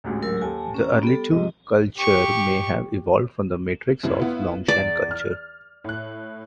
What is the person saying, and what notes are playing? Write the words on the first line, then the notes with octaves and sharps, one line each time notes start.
The Erlitou culture may have evolved from the matrix of Longshan culture.
A1 D2 G#2
F#3 A#4 E6
D#2 A4 G#5 A5
C#4 A#5
G3 B3 A4
C2 G#2 C3 D#5
G4 C#6
F#2 C3 E4
B3 E4 F4
E2 D5
F6
A2 F#6